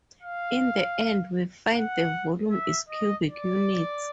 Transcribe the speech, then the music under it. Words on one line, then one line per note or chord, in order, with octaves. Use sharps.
In the end we find the volume is cubic units.
F5
F#5
E5
D#5
D5